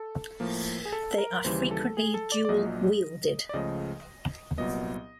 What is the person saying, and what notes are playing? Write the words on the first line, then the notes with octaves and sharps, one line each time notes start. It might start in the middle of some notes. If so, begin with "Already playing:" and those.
They are frequently dual wielded.
Already playing: A4
A2 F3 A#3
G#4
A4
A#4
D#2 C#3 E3 G3 C5
A4
G#4
A4
D5
D5
A#1 A#2 F#3 D#5
D5
C#2 C#3 F3 A3 D#5
C2 A#2 F#3 B3 D#5